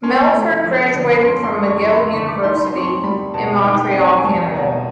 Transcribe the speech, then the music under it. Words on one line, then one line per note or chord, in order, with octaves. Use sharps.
Melford graduated from McGill University in Montreal, Canada.
C#4 C6
A3
F3
D3
B5
C#4 C6
C6
A3
C#6
C#6
F3 C6
B5
C6
D3 C#6
D6
D#4 C6
B5
C6
C4 C#6
C6
G3 B5
B2 A5
D#4 G5
G5
C4
G#5
G3 A5
B2 A#5